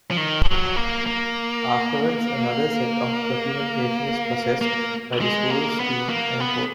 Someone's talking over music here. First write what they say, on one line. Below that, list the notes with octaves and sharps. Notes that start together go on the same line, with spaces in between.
Afterwards, another set of documentation is processed by the school's team and coach.
F3
D#3
F3
F#3
A#3
A#3
A#3
G#3
A#3
B3
A#3
B3